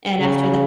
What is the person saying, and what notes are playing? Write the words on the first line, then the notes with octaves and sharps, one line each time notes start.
and after
C#3